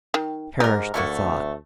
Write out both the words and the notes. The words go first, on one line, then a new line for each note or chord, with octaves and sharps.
Perish the thought!
D#3
G#2 D#4 G4 A#4
D2 A3 A#3 F#4